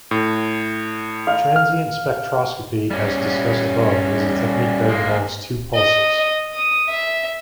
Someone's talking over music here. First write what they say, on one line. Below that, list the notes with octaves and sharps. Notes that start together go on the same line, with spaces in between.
Transient spectroscopy as discussed above is a technique that involves two pulses.
A2
F5
F6
G3 C#4
G#3 A#3
D#5
D#6
E5